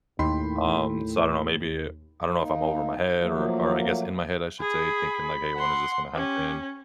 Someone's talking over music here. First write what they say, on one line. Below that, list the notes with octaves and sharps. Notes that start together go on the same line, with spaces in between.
um, so I don't know, maybe I don't know if I'm over my head or or I guess, in my head, I should say, thinking like, hey, when is this gonna happen?
D#2 A2 D#4 G5 B5 C6
A#3 D#4
F3 F#3 A3 A#3
G#4 B5
F#5 C6
C#4 G4